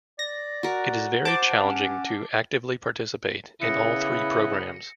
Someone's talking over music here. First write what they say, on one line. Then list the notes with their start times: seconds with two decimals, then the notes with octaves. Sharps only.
It is very challenging to actively participate in all three programs.
0.19 D5 A#6
0.63 F#4 A#4 F#5
1.25 C5 A5 D6
1.64 C#4
3.62 C#3 B3 E4 A#6 C#7